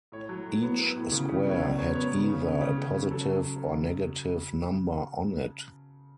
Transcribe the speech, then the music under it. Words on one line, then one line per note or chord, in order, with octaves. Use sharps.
Each square had either a positive or negative number on it.
A2 C#5
F#3
A2
B3
B3
A2
C#3
C#3
B3
C#5
F#3 D5
B3 C#5
B3 C#5
C#3
C#3
C#3
C#3
C#3
C#3
F#3 A4